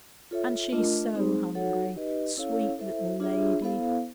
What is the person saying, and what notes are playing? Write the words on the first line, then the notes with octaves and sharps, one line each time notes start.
"And she's so hungry, sweet little lady."
F4 A4 C#5 E5
A3 D4 F4 A#4 D#5
G#3 C4 D#4 G#4 C5
D#4 F#4 A4 C#5 F#5
D#4 G4 B4 D#5
C#4 E4 A4 C#5 F5
E4 A4 C5 E5
D4 F4 G#4 C#5 E5
B3 E4 A4 C5 F5